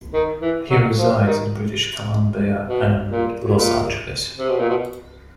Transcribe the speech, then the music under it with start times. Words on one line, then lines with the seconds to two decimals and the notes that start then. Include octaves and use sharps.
He resides in British Columbia and Los Angeles.
0.13 D#3
0.41 E3
0.70 F#3
0.98 F3
1.26 D#3
2.68 B2
3.11 A#2
3.53 A#2
4.39 C3
4.49 B2
4.59 A#2
4.69 B2